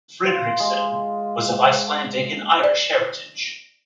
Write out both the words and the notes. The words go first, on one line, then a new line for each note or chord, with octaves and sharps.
Fredrickson was of Icelandic and Irish heritage.
F4
G#3
D5